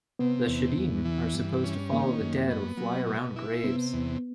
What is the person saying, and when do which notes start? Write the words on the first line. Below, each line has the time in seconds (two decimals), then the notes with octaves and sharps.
The "shedim" are supposed to follow the dead or fly around graves.
0.19 C3 B3
0.48 E2
0.78 E2
1.05 E3
1.34 G2
1.64 C#4
1.92 D#3 A#3
2.20 F#2
2.50 B3
2.77 F#3
3.06 B2
3.36 E4
3.63 C3 B3
3.93 E2